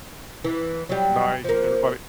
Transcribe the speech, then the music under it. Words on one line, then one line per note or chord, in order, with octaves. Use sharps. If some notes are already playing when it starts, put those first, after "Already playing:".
nice. Everybody
E3
F#3 G3
F3 A#3